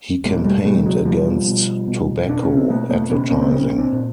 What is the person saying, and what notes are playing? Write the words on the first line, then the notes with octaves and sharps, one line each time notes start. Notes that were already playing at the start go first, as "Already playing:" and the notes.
He campaigned against tobacco advertising.
B2 G#3 A#3
G3 A3
B2 G3 A3
F#3 G#3
B2 F3 G3
B2
B2
B2 D4
C#4
C4
B2 A3 B3
A3 B3
B2 B3 C#4
A#3 C4
C4
A#2 B3 C#4
C4 D4
A#2